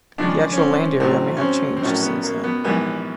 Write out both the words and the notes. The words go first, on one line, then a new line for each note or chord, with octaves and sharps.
The actual land area may have changed since then.
D#2 C#3 F3 G#3 D4
C#4
C4
A1 A2 F#3 C4
C#4
C4
C4
A#1 A2 F#3 A#3 C#4
B3
A#3
B3
A#1 G#2 E3 G3 A#3 B3